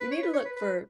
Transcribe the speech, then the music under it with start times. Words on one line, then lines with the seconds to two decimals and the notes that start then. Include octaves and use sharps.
you need to look for
0.01 B4
0.12 C#5
0.23 B4
0.34 C#5
0.45 B4
0.56 B4